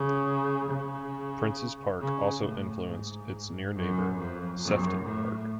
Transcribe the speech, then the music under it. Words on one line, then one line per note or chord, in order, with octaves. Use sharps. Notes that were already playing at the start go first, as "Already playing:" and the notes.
Prince's Park also influenced its near neighbour, Sefton Park.
Already playing: C#3
C#3
C#3
A2
G#2
F#2
F2
F#2
A2